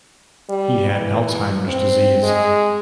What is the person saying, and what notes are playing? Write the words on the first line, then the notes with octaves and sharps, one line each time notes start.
He had Alzheimer's disease.
G3
E3
C4
G#3